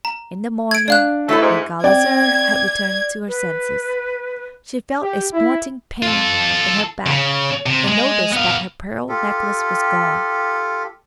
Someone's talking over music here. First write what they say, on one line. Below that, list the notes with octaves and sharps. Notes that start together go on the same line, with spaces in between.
In the morning, when Gulizar had returned to her senses, she felt a smarting pain in her back, and noticed that her pearl necklace was gone.
A#5
G#6 D7
D4 D5 F5 F#6
F#3 A3 E4 A4 B4
G#2
C4 D5 G5 G#6
B4
G4
E4
F4 A4
C#3
C3
G#3
B3 F5
F4 G4 A4